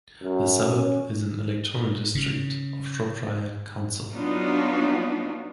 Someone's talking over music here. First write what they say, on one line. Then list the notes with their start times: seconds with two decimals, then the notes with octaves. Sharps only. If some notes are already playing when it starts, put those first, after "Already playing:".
The suburb is an electoral district of Shropshire Council.
0.22 F#2
0.75 C#4
2.15 C#3
4.13 F#3 B3 D4 D#4 F4 F#4